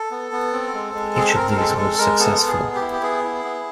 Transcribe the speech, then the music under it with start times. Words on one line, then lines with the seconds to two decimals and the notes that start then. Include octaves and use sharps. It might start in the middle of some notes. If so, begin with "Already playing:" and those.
Each of these was successful.
Already playing: A4
0.11 B3
0.32 B3
0.53 C4
0.74 G#3
0.94 G#3
1.15 C4 G#4
1.27 A4
1.36 C4 A#4
1.51 A#4
1.56 G#3 A4
1.77 G#3 A4
1.98 G#3 A#4
2.19 B3 A4
2.40 B3
2.47 G#4
2.61 B3
2.75 G4
2.81 E4
2.93 G4
3.02 B3 G#4
3.24 E4
3.44 B3